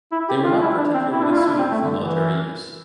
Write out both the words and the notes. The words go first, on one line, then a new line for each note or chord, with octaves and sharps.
They were not particularly suited for military use.
E4
G4
F4
E4
D4
C4
E4
D4
F4
E4
D4
C4
A3
D3
E3